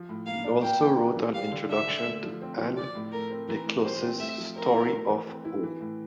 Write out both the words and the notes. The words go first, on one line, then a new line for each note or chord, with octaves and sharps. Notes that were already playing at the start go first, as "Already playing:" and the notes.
He also wrote an introduction to Anne Desclos's "Story of O".
Already playing: F3
A2
A#3 F5
D4
A#3 G5
E3
D4
E3
G3 F5
D3
D4 E5
D3
A3
F3
C4
F3
F3 D5
A2
A3 A#4
C4
E3 A#4
A2
G3 C5
C4
A3 E5
F3
C4 A#4
E4
A3
E3
C4
E4
E3
A2